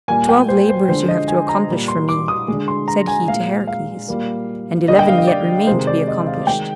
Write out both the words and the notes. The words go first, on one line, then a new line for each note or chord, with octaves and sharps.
"Twelve labors you have to accomplish for me," said he to Heracles, "and eleven yet remain to be accomplished."
A#2 G3 A#3 G#5
G5
C5
C5
D3 F3 G#3 C5
D#5
G#5
A#5
A#2 G3 A#3
C6
D6
D#6
D3 G#3
C6
A#5
G#5
A#2 G#3 F5
F5
A#2 G3 A#3
D3 G3 A#3 D#5
G5
F5
D#5
D5
C3 D#3 G#3 C5
D5
D#5
F5
D#3 G#3 G5